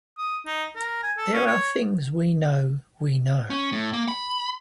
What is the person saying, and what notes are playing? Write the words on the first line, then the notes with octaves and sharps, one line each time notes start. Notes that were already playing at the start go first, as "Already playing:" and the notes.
There are things we know we know.
D#6
D#4
A#4
G#5
A4
C#4
C#5
C#4
A2
A#3
B5